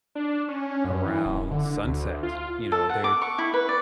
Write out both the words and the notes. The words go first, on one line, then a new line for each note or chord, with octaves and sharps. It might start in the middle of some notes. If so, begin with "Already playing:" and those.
around sunset, you know, they're,
D4
C#4
F#2
E3
D#1
D3
D2
F4
A4
F#5
D6
C#6
E4
B4
D5